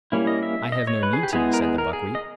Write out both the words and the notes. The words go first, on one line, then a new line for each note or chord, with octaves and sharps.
"I have no need to," said the buckwheat.
G3 A#3 C#4 E4
D#5
E5
D#5
C#5
B4
G#4
G4
G#3 B3 E4 G#4
A#4
G#4
A#4
G#4
D#5